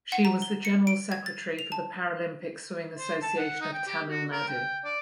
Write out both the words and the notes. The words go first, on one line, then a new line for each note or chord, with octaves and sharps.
She was the General Secretary for the Paralympic Swimming Association of Tamil Nadu.
F#5
A#5
G7
C#7
D7
G#6
A6
F7
A5
C5
A5
F#5
D#4
G5
G4
F#4
A#4
G5
D5